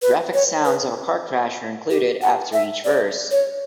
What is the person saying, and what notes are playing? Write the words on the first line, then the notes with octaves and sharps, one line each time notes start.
Graphic sounds of a car crash are included after each verse.
B4
C#5
B4
G4
F#5
E5
D5
C#5